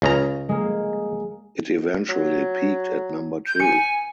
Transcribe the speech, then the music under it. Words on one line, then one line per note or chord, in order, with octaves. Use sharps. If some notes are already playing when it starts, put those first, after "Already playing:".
It eventually peaked at number two.
C#2 C#3 A#5
G#3 A#3
F#3
G6
G#5 C#7